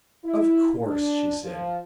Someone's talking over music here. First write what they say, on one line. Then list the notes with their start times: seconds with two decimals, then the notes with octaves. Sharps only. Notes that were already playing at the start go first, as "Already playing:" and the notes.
"Of course," she said.
0.23 E4
0.86 D4
1.43 F3